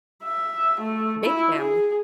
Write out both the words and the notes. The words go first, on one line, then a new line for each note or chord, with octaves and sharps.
Big family.
E5
A3
E4
G#4